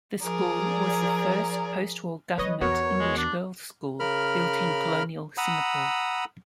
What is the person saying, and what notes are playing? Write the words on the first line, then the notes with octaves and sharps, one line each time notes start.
The school was the first post-war government English girls' school built in colonial Singapore.
F3 G#4 A#4 D5
F#3 C4 B4 C#5 D#5
E2 E3 B3 F#4 A#4 C#5
G#3
D4
C#3 A#4 B5 F6
F#5 A#5 B5 D#6 E6